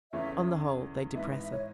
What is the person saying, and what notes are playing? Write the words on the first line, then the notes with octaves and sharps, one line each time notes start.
On the whole they depress us.
E2 C#3 E3 A3 C#4 E5
G#2 E3 B3 D#4 E5
E5
C#5